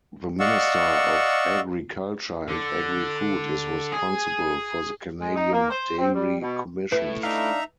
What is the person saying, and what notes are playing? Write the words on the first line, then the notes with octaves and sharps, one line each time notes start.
The Minister of Agriculture and Agri-food is responsible for the Canadian Dairy Commission.
D5 D#5 F5 F#5 C#6 E6
D3
G#4
G#3
D#4
A#3
C5
C4
G3
B2
A3 E4 B4
D4 D#4 E5 F5 A#5